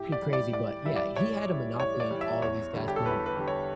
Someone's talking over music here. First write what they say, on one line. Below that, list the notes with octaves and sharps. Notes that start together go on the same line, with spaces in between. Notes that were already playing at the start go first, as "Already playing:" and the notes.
pretty crazy but yeah, he had a monopoly on all of these guys, he had
Already playing: A2 G4
D5
E3 G3
D5
A2 D5
E3 G3 E5
D5
A2 C#5
E3 G3
A2 C#5
D5
E3 G3
E5
E2 C#5
D3 G3
G4
A4
E2 B4
B4
D3 G3
C#5